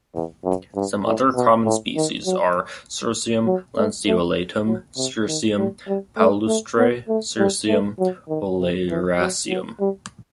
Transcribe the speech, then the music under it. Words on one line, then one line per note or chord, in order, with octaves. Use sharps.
Some other common species are: "Cirsium lanceolatum, Cirsium palustre, Cirsium oleraceum".
E2
F#2
G2
A2
B2
A2
D#3
F#3
F#3
A3
A3
F#3
C3
D#3
G3
G3
A3
A3
B3
A3
G3
A3
F#3
D#3
C3
E3
F#3
F#3
G3